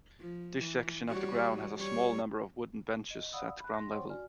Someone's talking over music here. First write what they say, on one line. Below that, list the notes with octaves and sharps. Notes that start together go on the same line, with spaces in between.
This section of the ground has a small number of wooden benches at ground-level.
F3
E3
G3 F#4 C#5
G3 C#5
D#5
D5 F5 F#5 B5 D#6 E6
B5 F#6
C6 A#6
C5 C#5 F#5 G5 C6 C#6
F#4 D5 G#5 F6